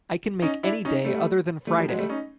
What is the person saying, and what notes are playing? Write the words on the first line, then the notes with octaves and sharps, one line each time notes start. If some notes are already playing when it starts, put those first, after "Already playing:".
I can make any day other than Friday.
C#4 D#4
D4 E4
C#4 D#4
G3 A3
G3 A3
F3 G3
F#3 G#3
G3 A3
C#4 D#4